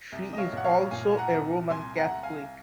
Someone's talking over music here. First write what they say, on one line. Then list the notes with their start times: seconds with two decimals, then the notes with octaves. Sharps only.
She is also a Roman Catholic.
0.12 C2
0.33 D#5
0.38 C#5 F5
0.52 A#2 F#5
0.64 C#5 F5
0.91 A#2 F5 G#5
1.11 G#5
1.17 F#5 A#5
1.31 C2
1.70 C2 G#5 C6
1.97 F#5 A#5
2.10 C2
2.23 F5 G#5